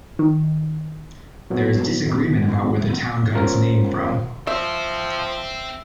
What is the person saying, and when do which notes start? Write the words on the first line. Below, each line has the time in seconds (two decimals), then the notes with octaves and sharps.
There is disagreement about where the town got its name from.
0.19 D#3
1.50 A#2 F#3 B3
3.35 C#4 F4 A#4 C5
4.47 F3 C4 E5